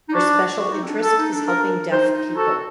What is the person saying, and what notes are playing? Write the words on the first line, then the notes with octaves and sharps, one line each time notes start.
Her special interest is helping deaf people.
D#4
D4 F#4
F#4
D#4
C4
D4
A4
D#4
D4
A#4
D#4 C5
D#4
F#4 A4